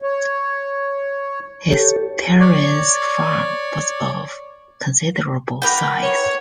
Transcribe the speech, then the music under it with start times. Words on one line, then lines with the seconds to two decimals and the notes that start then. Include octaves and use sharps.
His parents' farm was of considerable size.
0.02 C#5
1.70 G4 A4 C#5
2.40 C#5 D5
5.62 A#4 B4 F#5 G5 D6
6.02 C#5